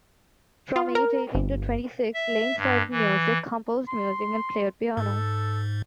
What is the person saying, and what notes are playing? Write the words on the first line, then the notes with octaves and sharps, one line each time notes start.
From age eighteen to twenty-six, Lane studied music, composed music, and played piano.
F4
A#4
G1
E5
G2
E3
C6
G#2 A4